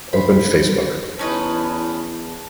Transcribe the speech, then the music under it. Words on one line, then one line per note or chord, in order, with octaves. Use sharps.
Open Facebook.
C5 B5
E2 C#4 D#4 E4 B4 A5